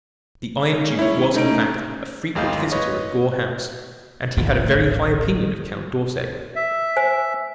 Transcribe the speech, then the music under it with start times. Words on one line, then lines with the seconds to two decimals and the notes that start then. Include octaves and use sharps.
The Iron Duke was, in fact, a frequent visitor at Gore House, and he had a very high opinion of Count d'Orsay.
0.68 G#3 C#4 D#4
0.99 E4 C#5
1.34 A3 A#3 C#4 D#4 D7
2.35 G1 D#2 G#3 F5 G6
2.72 B4 C#5 D#5
4.37 D1 A1 G#2 D#3
6.56 E5
6.96 C5 G#5